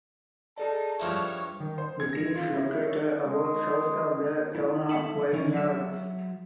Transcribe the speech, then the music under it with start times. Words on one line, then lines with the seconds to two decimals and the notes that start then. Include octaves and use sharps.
It is located about south of the town of Wynyard.
0.58 D#4 G#4 A4 D5 A5
1.00 G2 F3 E4 C#5
1.60 D#3
1.78 C5
2.00 G#6
2.13 A#6
2.35 F4
2.54 E4
2.71 E4
2.86 C#5
3.25 G#3
4.55 E4
4.89 A4 E5 F#5 A5 B5
5.33 D#3 E3 C#4 E4
5.53 F#3 E5